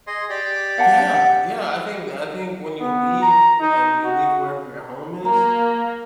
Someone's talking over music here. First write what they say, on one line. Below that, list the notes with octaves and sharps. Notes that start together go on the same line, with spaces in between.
Yeah, yeah, I think I think when you leave and you leave wherever your home is,
G#4 D#5 C6
G4 D5
F5 F#5 A5
F#5
B3
A#5
D#4
F#4
A#3 A#5